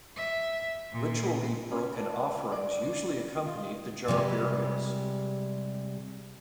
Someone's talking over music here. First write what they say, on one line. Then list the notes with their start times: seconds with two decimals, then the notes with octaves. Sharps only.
Ritually broken offerings usually accompanied the jar burials.
0.16 E5
0.92 A#2
1.71 C#4
1.96 D4
2.52 D5
3.47 F4
4.08 C3 G3 G#3